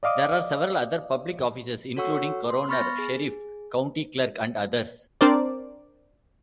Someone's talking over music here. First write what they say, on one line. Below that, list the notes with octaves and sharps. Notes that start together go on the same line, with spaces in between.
There are several other public offices including Coroner, Sheriff, County Clerk and others.
D5 D#5 F5 D6 D#6
F#4 A4 C#5 F#5 C#6 E6
C6
B3 B5 C#6 F6 A6 A#6
G#4
C4 D4 A#4 C5 D5